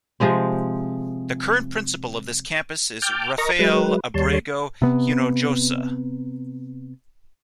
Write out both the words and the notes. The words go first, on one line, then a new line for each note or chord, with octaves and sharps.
The current principal of this campus is Rafael Abrego Hinojosa.
C3 F3 G#3 C4
G5 A5 D6 F6 G6
A#4 D#5 A#5 C#6 A#6
F#3 G#3 B4
D#2 G3 C#5 A5 C6
C3 B3